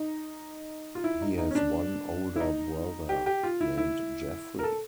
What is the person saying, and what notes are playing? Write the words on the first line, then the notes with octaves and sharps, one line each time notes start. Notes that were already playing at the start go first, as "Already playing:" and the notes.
He has one older brother named Jeffrey.
Already playing: D#4
F4
E4
D#4
D#4
C#4
D4
E4
D#4
G4
G4
F4
E4
E4
A#4
A4